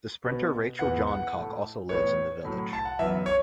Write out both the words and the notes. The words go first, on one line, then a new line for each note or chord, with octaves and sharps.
The sprinter Rachel Johncock also lives in the village.
B2 B3
E2 E3 B3 F#5
F#5
A2 A3
A2 E3 B3 C#5
A2 F#3 A3
A5
F#5
F#2 E3 B3 E5
C#5